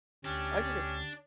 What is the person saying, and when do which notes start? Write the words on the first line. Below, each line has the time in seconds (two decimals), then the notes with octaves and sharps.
I would've
0.25 D2 C#4 D4 G4